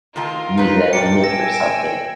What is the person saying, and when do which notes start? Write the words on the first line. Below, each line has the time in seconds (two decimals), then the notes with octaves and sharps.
use it as a nook or something.
0.16 A2 D#3 F4 A#4 A5
0.57 F#3 D#4 B4
0.93 A#2 A#3 D4 G5 A6 C#7
1.24 G#5 E6 A#6